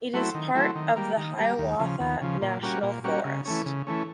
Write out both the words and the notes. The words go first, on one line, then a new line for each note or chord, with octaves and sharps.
It is part of the Hiawatha National Forest.
F#3 A3 C4 E4
D#3
F#3 A3 C4 E4
D#3
G3 A#3
D#3
G3 A#3
D#2
C#3 F3
D#2
C#3 F3
A#2
G3 A#3 C#4 F#4
A#2
G3 A#3 C#4 F#4
C#3
E3 A3 C#4
C#3
E3 A3 C#4